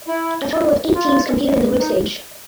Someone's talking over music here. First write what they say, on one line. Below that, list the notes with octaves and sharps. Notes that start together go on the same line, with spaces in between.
A total of eight teams competed in the group stage.
E4
F4
D#4